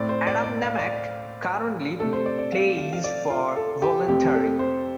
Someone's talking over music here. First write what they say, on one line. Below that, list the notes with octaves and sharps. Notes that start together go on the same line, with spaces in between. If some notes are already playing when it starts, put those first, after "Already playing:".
Adam Nemec currently plays for Voluntari.
Already playing: A2 A3 C4 D5
C5
D5
D5
F5
D5
C3 A3 D4 A4
C5
D5
D5
F5
F5
F5
D5
F4
A4
G4
F2 C3 A3 C4 G4
A4
C5